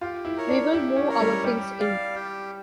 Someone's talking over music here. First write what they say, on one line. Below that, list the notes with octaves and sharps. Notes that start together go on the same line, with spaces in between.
We will move our things in.
F4 G4
E4
A#4 C#5
D4
E4 G4
C#4
A#4 C#5
G3
G3 G4
D5 F5
G4